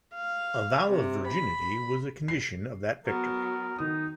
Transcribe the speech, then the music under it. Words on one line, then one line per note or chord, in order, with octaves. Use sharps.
A vow of virginity was a condition of that victory.
F5
C3
B5
C7
F#3 B3 A#4
D#3 D#4 D#6